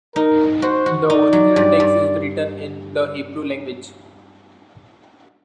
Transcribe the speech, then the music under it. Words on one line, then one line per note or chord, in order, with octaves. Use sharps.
The original text is written in the Hebrew language.
D#4 A#4
F#4 C5
F#4
D#4 D5
F#3
G2
G2